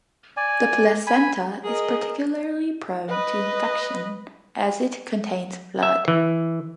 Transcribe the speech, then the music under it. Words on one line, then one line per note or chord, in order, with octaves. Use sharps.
The placenta is particularly prone to infection as it contains blood.
D5 G#5
G#5 B5
G#4 A#4 D#5
B4 D#5
E5
E3